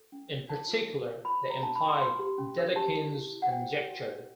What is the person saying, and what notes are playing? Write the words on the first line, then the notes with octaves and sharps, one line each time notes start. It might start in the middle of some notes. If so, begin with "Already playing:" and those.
In particular, they imply Dedekind's conjecture.
Already playing: A4
C#4
C#5
A#4 A5
F4
D#4
C#5
A#4 B5
F#4
A#5
D4 A5
B5
D4
C6
B4 C6
G4
C#4
A#4
G4 A5
E4
E4
E4
F#5
C5 G5
G4
F#4
B4